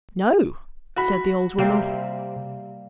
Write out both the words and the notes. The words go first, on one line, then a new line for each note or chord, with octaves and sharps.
"No," said the old woman.
F#4 B5
C3 G3 A#3